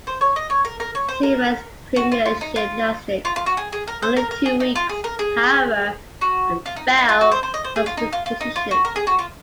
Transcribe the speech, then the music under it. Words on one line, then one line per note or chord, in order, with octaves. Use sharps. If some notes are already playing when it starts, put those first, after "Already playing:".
Sewell's premiership lasted only two weeks, however, and Bell lost his position.
C5
C#5
D#5
C#5
A#4
A#4
C#5
C5
A#4
F#4
F4
F4
D#4
F4
F4
F4
F#4
G#4
G#4
A#4
C5
A#4
A#4
G#4
D#4
F4
G#4
A#4
G#4
F#4
F4
D#4
F4
D#4
F4
F#4
C5
C5
D#5
C5
G#4
F4
D#4
F4
F4
D#4
F4
F#4
A#4
G#4
F#4
F4